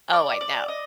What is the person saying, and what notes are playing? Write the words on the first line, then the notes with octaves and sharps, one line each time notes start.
Oh, I know.
D5
D5
D#5